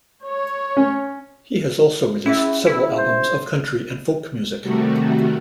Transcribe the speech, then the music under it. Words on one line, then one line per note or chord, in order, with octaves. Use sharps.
He has also released several albums of country and folk music.
C#5
C#4
C#4 E4 G#4 E5
E4
C5
C3 D#3 G3 A3 F#4